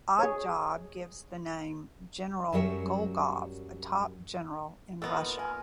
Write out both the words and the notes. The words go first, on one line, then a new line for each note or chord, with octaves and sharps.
Oddjob gives the name: General Golgov, a top general in Russia.
G#4 C#5
F#2 F#3 G3 A#4 C#5 E5
A#2 B3 D#4 A4 A#5
A#4 G#5